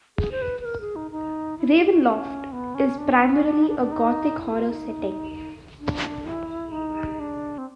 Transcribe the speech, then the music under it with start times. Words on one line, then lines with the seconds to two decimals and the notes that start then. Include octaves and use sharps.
"Ravenloft" is primarily a Gothic horror setting.
0.18 G#4
0.31 C5
0.42 B4
0.60 B4
0.65 A#4
0.81 G#4
0.96 D#4
1.11 D#4
1.58 E4
1.75 G4
1.89 F#4
2.05 C#4
2.52 B3
2.75 C#4
2.98 D4
3.21 C4
3.34 C#4
3.45 D4
3.62 D#4
3.69 D4
3.80 D4
3.92 D#4
4.39 E4
4.55 F4
4.70 D#4
5.79 D4
6.26 E4
6.72 D#4
7.20 D4
7.58 C4